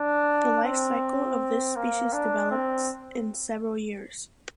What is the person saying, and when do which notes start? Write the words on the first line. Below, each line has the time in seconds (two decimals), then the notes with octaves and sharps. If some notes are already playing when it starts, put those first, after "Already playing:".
The life cycle of this species develops in several years.
Already playing: D4
0.64 C4
1.76 A#3
2.13 D4
2.51 C4